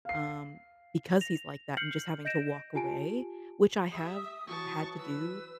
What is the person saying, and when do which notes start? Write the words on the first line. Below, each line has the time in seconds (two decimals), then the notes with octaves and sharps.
um, because he's like that and just having to walk away. Which I have had to do,
0.05 F5 C7
1.21 A#6 F7
1.77 F6 G6 C7 C#7 F#7
2.25 D#5 G6 A#6 D7 E7
2.75 F4 G4 G#5 A5 D7
3.92 G4 E5 D#6
4.47 E3 F#3 A5 C#6
4.98 B4 E6